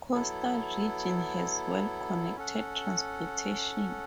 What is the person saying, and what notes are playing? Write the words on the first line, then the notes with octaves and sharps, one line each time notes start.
Coastal region has well-connected transportation.
F#3 B3 E4 A4
C#4 A4 F#5